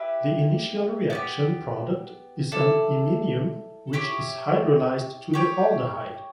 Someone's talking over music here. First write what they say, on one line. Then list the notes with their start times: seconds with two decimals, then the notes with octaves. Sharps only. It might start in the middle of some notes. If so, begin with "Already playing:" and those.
The initial reaction product is an iminium which is hydrolyzed to the aldehyde.
Already playing: E4 G4 B4 E5
1.10 B3 D4 G4
2.52 E4 A4 D5
3.93 E4 G4 C#5
5.33 G4 C#5 G5